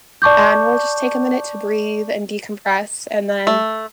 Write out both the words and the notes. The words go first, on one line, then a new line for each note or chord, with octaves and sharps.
and, we'll just take a minute to breathe, and decompress, and then
D5 A5 C#6 D6 G6
A3